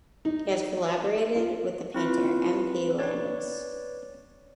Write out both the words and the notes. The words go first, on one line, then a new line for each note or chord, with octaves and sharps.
He has collaborated with the painter M. P. Landis.
D#4
F4
C4 E4 F4 B4
B4 C#5 D5